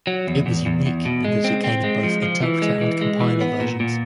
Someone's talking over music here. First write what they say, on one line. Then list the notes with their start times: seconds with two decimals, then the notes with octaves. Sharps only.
It was unique in that it came in both interpreter and compiler versions.
0.07 F#3
0.27 E2
0.46 E2
0.66 E2
0.86 E2
1.05 B2
1.25 G#3
1.44 C4
1.64 C4
1.84 G#3
2.03 F3
2.22 F3
2.43 E3
2.62 G#3
2.81 E3
3.01 G#3
3.21 E3
3.41 B3
3.60 A#2
3.80 A#2